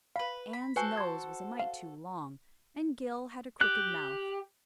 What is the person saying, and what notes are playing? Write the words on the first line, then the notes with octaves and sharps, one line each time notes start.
Anne's nose was a mite too long and Gil had a crooked mouth.
B4 F5 B5
B5
F#4 A4 B4 C5 G#5
C6 G#6
F5
G4 F#6